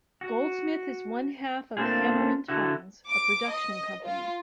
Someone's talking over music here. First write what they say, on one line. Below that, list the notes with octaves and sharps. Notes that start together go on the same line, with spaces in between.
Goldsmith is one half of "Hammer and Tongs", a production company.
F#4
A3 A#3 C4 D4 F4 G#4
D3 E4 F#4
D6
D#5
F4